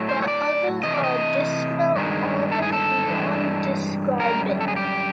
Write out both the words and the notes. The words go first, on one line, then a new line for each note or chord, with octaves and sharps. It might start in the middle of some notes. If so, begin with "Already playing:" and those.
But others are dismal almost beyond describin.
Already playing: A2 F#3 A3
C5
C#5
D5
C3 E3 A3 D#5
D5
D#5
G2 D#3 G#3
A4
G#4
A4
G2 E3 G#3
F#2 D3 G3 A#4
A4
G#4
G4